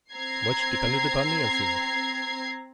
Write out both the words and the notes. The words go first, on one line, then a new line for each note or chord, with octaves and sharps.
Much depended upon the answer.
C4 A#5 G#6 C7